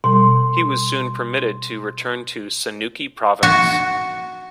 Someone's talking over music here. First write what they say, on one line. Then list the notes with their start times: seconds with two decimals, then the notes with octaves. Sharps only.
He was soon permitted to return to Sanuki Province.
0.04 B2 G3 C6
3.43 F#4